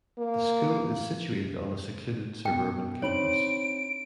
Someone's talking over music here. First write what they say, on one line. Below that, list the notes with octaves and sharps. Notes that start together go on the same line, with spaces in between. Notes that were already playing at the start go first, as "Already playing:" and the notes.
The school is situated on a secluded suburban campus.
A#3
B2 G5
C4 D4 D#4 C#5 B5 D7 F#7